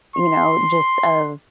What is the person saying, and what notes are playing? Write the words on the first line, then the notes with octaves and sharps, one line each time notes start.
you know, gist of
C6